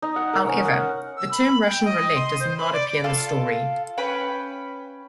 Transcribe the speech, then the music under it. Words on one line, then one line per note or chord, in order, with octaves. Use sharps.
However, the term "Russian roulette" does not appear in the story.
D#4
F#5
A#4
C#4
F#5
E6
B5
G5
D#5
C6
C5
B5
D5
F4 A4 F5
C#4 B4 G5 B5